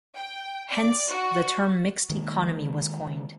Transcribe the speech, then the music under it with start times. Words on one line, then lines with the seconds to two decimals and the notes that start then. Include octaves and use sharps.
Hence, the term "mixed economy" was coined.
0.16 G5
0.72 D5
1.08 F#4
2.10 D#3 G#3 A#3